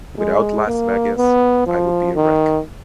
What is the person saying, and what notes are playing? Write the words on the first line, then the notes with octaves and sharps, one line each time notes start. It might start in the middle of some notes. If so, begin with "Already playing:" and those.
Without Las Vegas, I would be a wreck.
G#3
A#3
B3
F3
D#3